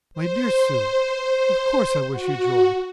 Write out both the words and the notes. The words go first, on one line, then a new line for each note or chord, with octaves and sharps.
MY DEAR SUE,--Of course I wish you joy!
C5
F#4